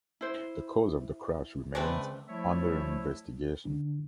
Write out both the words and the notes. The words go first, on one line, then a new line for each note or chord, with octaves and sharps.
The cause of the crash remains under investigation.
E4 C5
C#2 G#3 A3 C4 B4 D5
F3 G3 A3 E4 C#5 E5
D3